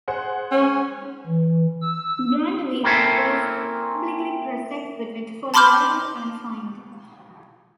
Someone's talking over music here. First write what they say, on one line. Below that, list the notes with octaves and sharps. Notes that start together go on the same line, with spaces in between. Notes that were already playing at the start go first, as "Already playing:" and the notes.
Grundtvig was publicly prosecuted for libel and fined.
G#4 C5 F#5
C#4
E3
E6
A#3 C4 C#4 E4 A4
A5 B5 C6 D6 F6 G6